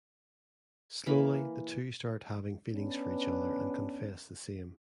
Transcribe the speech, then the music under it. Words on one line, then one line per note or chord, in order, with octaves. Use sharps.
Slowly the two start having feelings for each other and confess the same.
E3 A#3 B5
B3 C#4 D4 B4